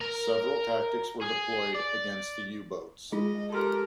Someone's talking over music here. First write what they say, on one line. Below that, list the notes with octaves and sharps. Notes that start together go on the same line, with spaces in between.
Several tactics were deployed against the U-boats.
A#4 A#5
G#4
D5
G#3 F4 G#4 D#5
G4 A4 A#4 C6